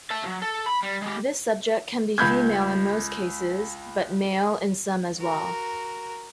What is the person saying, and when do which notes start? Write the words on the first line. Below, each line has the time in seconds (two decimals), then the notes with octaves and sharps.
This subject can be female in most cases, but male in some as well.
0.11 E5 A5
0.22 D#2 F#3
0.42 A4
0.66 B5
0.83 G3
1.02 G#3 G4
2.18 C#2 B5 G6 G#6
5.18 F#4 A#4